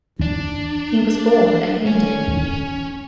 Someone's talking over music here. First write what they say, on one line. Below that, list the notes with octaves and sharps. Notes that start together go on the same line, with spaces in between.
He was born a Hindu.
D4
C#4